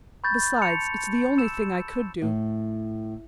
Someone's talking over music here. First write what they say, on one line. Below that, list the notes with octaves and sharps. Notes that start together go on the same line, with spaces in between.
Besides, it's the only thing I could do.
B5 C#6 G6 A6
A5 C6 C#7 F7
E6 E7
A2